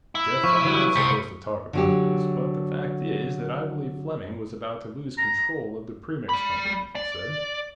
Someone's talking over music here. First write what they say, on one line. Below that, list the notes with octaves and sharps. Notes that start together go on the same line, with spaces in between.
"Jeff, I'm not supposed to talk about this, but the fact is that I believe Fleming was about to lose control of the Premix Company," he said.
E4
F3 C#6
E3 F#3 G3
C2 C5 B6 C#7
D3 F#3 G4
A#5
D5 B5
D5